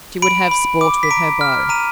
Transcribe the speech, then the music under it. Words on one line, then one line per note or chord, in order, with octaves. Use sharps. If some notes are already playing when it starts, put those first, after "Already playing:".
She would have sport with her bow.
B5 D7
B5
D6
B6
A#5 D7
F6
A#5 D#7